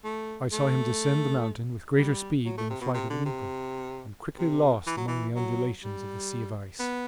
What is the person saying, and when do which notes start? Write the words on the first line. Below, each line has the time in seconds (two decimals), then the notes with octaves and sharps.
I saw him descend the mountain with greater speed than the flight of an eagle, and quickly lost among the undulations of the sea of ice.
0.04 A3
0.53 A3
1.97 G3
2.45 F#3
2.58 A3
2.70 C3
2.81 B2
2.94 C3
3.10 D3
3.25 C3
4.38 C3
4.87 E3
4.97 F#3
5.08 E3
5.35 F#3
5.83 G3
6.79 B3